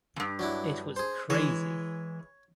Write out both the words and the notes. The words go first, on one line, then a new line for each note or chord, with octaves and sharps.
It was crazy!
E2 G2
F#3 D4 E4
G#4 C5
E3 G#3 C#5